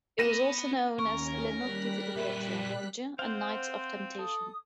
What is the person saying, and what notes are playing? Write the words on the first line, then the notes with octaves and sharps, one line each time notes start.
It was also known as Le notti di Lucrezia Borgia and Nights of Temptation.
B3 B4 A#6 D#7 E7
D#2 C#4 A#4 C#6
G3 F#6 B6
A#2 A#4 B4 E5
C4 C5 F5 F#5
A4 D#6